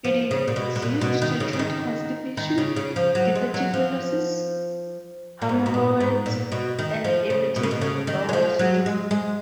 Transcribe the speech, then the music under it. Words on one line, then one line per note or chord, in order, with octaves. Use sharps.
It is used to treat constipation, diverticulosis, hemorrhoids and irritable bowel syndrome.
F3
C#3
A#2
B2
B2
A#2
B2
D#3
C#3
C#3
D#3
D#3
C#3
C#3
F3
F#3
G#3
F#3
F3
A#2
G#2
B2
A#2
G#2
A#2
B2
D#3
F3
C#3
B2
C#3
B2
C#3
D#3
F#3
F3
F#3
G#3
G#3